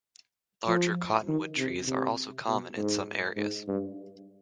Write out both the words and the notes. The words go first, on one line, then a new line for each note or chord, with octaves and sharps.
Larger cottonwood trees are also common in some areas.
F3
D#3
C3
C3
B2
G#2
G#2
G2